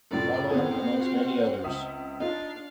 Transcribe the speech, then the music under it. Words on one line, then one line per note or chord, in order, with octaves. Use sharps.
Rahman amongst many others.
F#2 A2 C3 F4 D5
B3 C4 G#4 C5 F5 F#5
F4 F#4
C#2 E5 D#6
D4 D#4 F4 F5